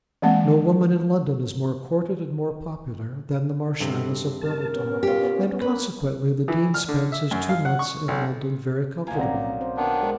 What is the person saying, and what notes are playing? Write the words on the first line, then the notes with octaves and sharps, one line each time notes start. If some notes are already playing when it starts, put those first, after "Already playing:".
No woman in London is more courted and more popular than the Marchioness of Brotherton, and consequently the Dean spends his two months in London very comfortably.
E3 G#3 A#3 C4 F#5
G2 C3 A4
A#4 A5
B3 C#4
F4 G4
A#3 B4
E3
F6
D3
E5
F#2
F5
F#5
C#6
B1
B1 A#3 F4 G#5
C4 C#4 D5 A#5
C5
D#3 B3 D4
G#3 A#4 C5 F#5